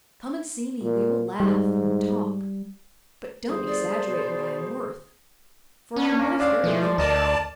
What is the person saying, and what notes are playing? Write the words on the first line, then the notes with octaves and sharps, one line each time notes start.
Come and see me, we will laugh and talk, but don't exaggerate what I am worth, for I am worth very little.
A#2
G#2 G3
G1 G#4 C5 D#6
D5
B2
C#4 D4
A#3
C4 D4 D5 F5
B2 E3 F3 A3
D5
D2 A#4 D5 D#5 A5